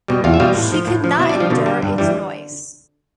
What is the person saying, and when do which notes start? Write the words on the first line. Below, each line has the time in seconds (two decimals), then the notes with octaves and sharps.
She could not endure its noise.
0.08 B2 G3
0.24 E2 F4 F5
0.34 E5
0.40 B2 G3 F4 F5
0.55 A2
0.72 F3
0.87 A2
1.04 F3
1.18 B2 E4 E5
1.29 D4 D5
1.35 G3
1.40 F3 F4
1.50 B2 D3 D4
1.66 G3
1.82 G2
1.98 E3 G3